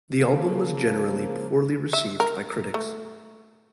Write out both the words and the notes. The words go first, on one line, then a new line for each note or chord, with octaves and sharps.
The album was generally poorly received by critics.
C#3 F3 A#3
E5
A#4
A3